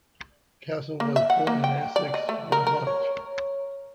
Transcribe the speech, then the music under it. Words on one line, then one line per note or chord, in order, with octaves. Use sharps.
Castle was born in Essex, Vermont.
A#3
E5
F#5
A#3
G5
D5
D#5
A3
A#4
A#4
C#5